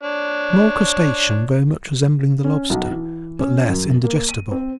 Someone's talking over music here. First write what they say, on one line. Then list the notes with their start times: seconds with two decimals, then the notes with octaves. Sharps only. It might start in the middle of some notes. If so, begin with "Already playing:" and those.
A small crustacean very much resembling the lobster, but less indigestible.
0.03 D4 C#5
2.44 C#4
2.70 B1
2.90 E3
3.39 C#4
3.70 F#2
4.03 A#3
4.29 D#7
4.51 C4